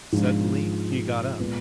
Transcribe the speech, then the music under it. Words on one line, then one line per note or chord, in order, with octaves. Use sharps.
Suddenly he got up.
G#2 F3 G#3 D4 F4
A#2 G#3 B3